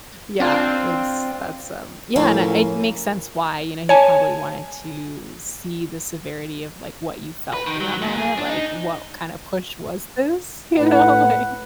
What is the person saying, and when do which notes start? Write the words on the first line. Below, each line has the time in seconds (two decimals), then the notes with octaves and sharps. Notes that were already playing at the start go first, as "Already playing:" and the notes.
yeah it's that's, um, yeah and I it makes sense why, you know, he probably wanted to see the severity of, like, what you felt in that moment, like, what kinda push was this? You know? Like,
0.40 C4 D4 F4
2.16 A2 F3 A#3 C#4 E4 F4
3.89 C#5 G#5 A5
7.54 B4
7.67 D#3
7.81 F#3
8.02 A#2
8.18 G#4
8.38 D4
8.49 D#4
10.77 A2 E4 B4 F#5